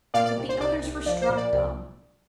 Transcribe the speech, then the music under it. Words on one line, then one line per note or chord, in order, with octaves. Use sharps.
But the others were struck dumb.
A#2 D5 F5
D5
C2
C5
C2 D5
C2
F3 D5
C5
A#2
D5
C2